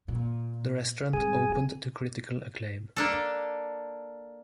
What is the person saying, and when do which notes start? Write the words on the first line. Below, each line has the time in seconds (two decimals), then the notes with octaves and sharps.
The restaurant opened to critical acclaim.
0.08 A#2
1.13 G#1 G2 G#4 G#5
1.50 A#3 C4
2.96 A#3 D4 A4